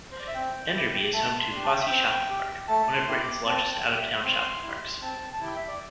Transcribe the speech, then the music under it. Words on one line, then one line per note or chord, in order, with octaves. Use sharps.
Enderby is home to Fosse Shopping Park, one of Britain's biggest out-of-town shopping parks.
C5
D5
E5
C4 G5
E4 G4
A3 A5
C6
D4 G4
A5
G5
E5
C4 G5
G4
A3 A5
C6
E4 G4
D6
C4 A5
G5
G4
G5
E5
C4 C6
E4 G4
C4 A5
A5
E4 G4 G5
E5
D5